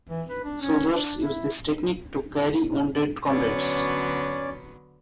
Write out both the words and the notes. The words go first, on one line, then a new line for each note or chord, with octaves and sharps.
Soldiers use this technique to carry wounded comrades.
E3
B4
D4
C#4
D4
E4
D3 F#3 B3 C#4 D5